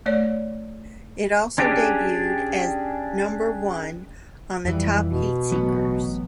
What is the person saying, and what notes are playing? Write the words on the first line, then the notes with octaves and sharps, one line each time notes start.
It also debuted at number one on the Top Heatseekers.
A3 C#5 D5
C#4 D4 G4 G#4
F2 E3 G3
B2
A1 F#3 B3